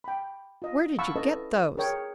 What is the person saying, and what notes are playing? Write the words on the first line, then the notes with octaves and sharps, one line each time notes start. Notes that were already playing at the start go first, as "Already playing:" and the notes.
Where did you get those?
G5 B5
F4 D#5
F5 F#5 A5 B5 C#6 E6
C#4 E4 A4 B4 D#5 A5
G#4 A#4 C#5 G5